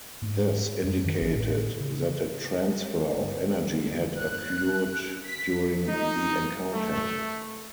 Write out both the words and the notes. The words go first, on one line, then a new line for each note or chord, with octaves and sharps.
This indicated that a transfer of energy had occurred during the encounter.
G#2
F#2
D#3
A1
A2
C#3
G1
F#6
B6
D#4
A3